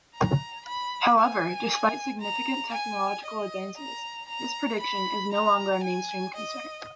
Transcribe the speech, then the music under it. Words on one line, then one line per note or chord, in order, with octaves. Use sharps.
However, despite significant technological advances, this prediction is no longer a mainstream concern.
A#5
B5
G#5
A#5
G#5
D#5
A#5
A#5
B5
A#5
G#5
D#5